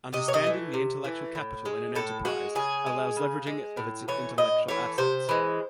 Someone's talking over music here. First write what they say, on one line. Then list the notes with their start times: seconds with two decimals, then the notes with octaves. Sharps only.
Understanding the intellectual capital in an enterprise allows leveraging of its intellectual assets.
0.13 C3 D#5
0.28 C#5
0.34 D#5
0.44 E3 A3
0.74 C3
1.04 E3 A3
1.35 A2
1.65 G#3
1.95 A2 A4
2.25 G#3 F#4
2.55 C#3 G#4
2.86 G#3
3.17 C#3
3.47 G#3
3.77 A2
4.08 E3 A3 C#5
4.38 A2 D#5
4.68 E3 A3 C#5
4.98 C3 C5
5.29 E3 G#3